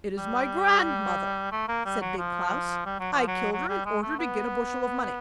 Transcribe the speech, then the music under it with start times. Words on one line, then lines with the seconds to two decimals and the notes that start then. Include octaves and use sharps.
'It is my grandmother,' said Big Klaus. 'I killed her in order to get a bushel of money.'
0.17 G3
1.52 A3
1.69 A#3
1.85 G3
2.01 F#3
2.18 F3
2.85 G3
3.00 F#3
3.13 F3
3.27 F#3
3.53 F#3
3.69 G3
3.86 G#3
4.02 A3
4.19 B3